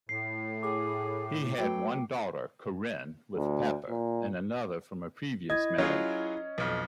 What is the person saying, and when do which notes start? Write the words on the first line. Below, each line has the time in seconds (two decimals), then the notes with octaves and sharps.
He had one daughter, Corinne, with Pepper, and another from a previous marriage.
0.09 A2 C7
0.63 G#4 D6
1.58 F#3 A3 B4 G5
3.36 D2
3.89 A#2
5.50 E4 D#5 G#6
5.78 F#3 C#4 F4 G#4
6.58 B1 F2